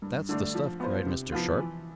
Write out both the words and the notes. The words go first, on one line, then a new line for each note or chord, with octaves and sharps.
"That's the stuff!" cried Mr. Sharp.
G2
D3 A3 D4
F3
B3 F4 C5
C3
F3 B3 F4
E3